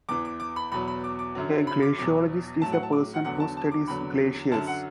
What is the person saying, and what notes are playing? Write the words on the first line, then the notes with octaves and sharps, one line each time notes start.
A glaciologist is a person who studies glaciers.
E2 E3 D6
D6
D6
B5
E2 B2 F#3 B5
B5
D6
D6
F#2 D3 F#3
B5
D6
E2 B2 F#3 D6
A2 F#3 A5
F#5
A5
D6
F#5
E2 D3 F#3 F#5
A5
A5
D6
E2 D3 F#3 B5
F#2 D3 F#3 A5
F#5